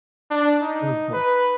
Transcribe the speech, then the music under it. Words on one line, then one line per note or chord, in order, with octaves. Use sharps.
It was both.
D4
D#4
B4